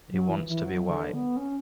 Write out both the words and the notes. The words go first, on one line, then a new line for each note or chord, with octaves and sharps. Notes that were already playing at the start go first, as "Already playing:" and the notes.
He wants to be white.
F#3
E3
E3
F#3
D3
B3
C#4